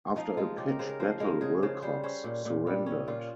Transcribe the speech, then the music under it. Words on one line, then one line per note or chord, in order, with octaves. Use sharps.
After a pitched battle, Wilcox surrendered.
F3 D#4
G#3 F4
C#3 G4
A#4
C#3 C5
A#4
F3 C5
G#3 A#4
C#3 G#4
C#3 C5
G3 C5
C#4 C5
A#2
A#2
G3
C#4
A#2 F4